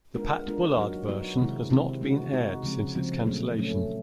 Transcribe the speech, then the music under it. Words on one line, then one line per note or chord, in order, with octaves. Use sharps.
The Pat Bullard version has not been aired since its cancellation.
G#3 B3 D4 F4 A#4
G#3 B3 D4 F4 A#4
F#3 B3 D#4 F#4
F#3 B3 D#4 F#4
C3 D#3 G#3 C4 E4
C3 D#3 G#3 C4 E4
G#3 B3 D#4 F#4
G#3 B3 D#4 F#4
C#3 F3 G#3 C4
C#3 F3 G#3 C4
A#2 F#3 A3 C#4
A#2 F#3 A3 C#4